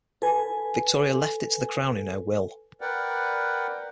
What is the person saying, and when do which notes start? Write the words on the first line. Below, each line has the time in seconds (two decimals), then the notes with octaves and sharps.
Victoria left it to the Crown in her will.
0.22 A4 B4 G#5
2.81 A#4 B4 D5 F#5 G5